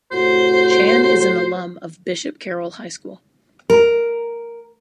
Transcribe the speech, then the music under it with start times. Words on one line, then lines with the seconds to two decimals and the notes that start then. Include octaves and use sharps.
Chan is an alum of Bishop Carroll High School.
0.12 A2 C3 F#4 C5
3.70 A#4